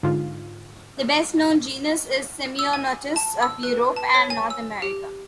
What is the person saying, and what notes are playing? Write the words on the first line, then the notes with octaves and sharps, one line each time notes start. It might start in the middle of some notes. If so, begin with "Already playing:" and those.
The best-known genus is "Semionotus" of Europe and North America.
G#2 D3 F4
E6
G#5
A5
E6
B4
A5
C#5
G#5
E6
G4